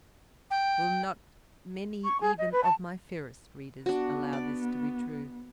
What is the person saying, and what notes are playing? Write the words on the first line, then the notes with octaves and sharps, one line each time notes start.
Will not many even of my fairest readers allow this to be true?
G5
C#6
G#4
D#5
B4
A5
B3 D4 F#4
D5